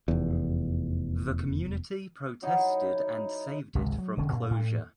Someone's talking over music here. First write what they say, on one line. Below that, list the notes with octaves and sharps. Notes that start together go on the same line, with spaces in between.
The community protested and saved it from closure.
F1 E2
F#3 D#4 E4
G#1 C#2 C3 G#3
F#3
E1 D3 C#4
G2 A#2
A2